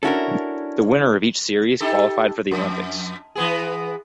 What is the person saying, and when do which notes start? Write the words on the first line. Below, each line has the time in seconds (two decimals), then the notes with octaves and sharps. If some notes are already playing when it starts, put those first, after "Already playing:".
The winner of each series qualified for the Olympics.
0.03 C#4 D4 E4 F#4 A4 A#4
1.80 D#4 G4 A4
2.51 F2
3.35 E3 B3 G#4